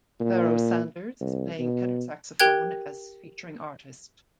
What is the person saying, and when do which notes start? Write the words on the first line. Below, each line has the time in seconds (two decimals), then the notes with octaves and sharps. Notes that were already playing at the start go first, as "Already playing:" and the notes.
Pharoah Sanders is playing tenor saxophone as featuring artist.
0.20 A#2
1.20 C2
1.59 B2
2.40 G4 A#4 G5 F#6 G#6